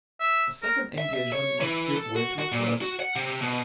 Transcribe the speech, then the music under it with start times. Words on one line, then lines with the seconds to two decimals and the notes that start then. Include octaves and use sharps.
A second engagement must give way to a first.
0.20 E5
0.63 A#4
0.98 E5
1.13 E5
1.33 C#5
1.61 E3
1.96 A4
2.16 F#4
2.39 F#4
2.52 A#2
2.82 F#4
3.00 F#5
3.16 C3
3.42 B2